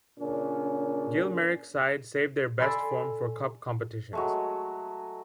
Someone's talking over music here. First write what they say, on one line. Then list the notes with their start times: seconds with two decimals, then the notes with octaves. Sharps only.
Gil Merrick's side saved their best form for cup competitions.
0.19 A#2 C#3 C#4 D4
2.59 A4 D5 G#5 B5 C6
4.13 F#3 G#3 A3